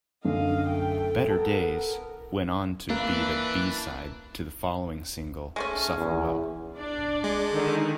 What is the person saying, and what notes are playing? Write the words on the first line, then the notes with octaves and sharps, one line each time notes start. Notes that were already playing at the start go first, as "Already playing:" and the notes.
"Better Days" went on to be the B-side to the following single, "Suffer Well".
F#2 D3 D#5 F5
A3 A4 G5
B3 A#4 A5
E3 A#3 D4 B4
G#3 A3 C#4
E2
D4 D5
G#3
D3 D#3 D#4